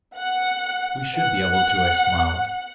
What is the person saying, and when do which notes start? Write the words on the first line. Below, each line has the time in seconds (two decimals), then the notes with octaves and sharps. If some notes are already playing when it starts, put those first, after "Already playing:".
"We should be able to," I smiled.
0.16 F#5
1.16 F#5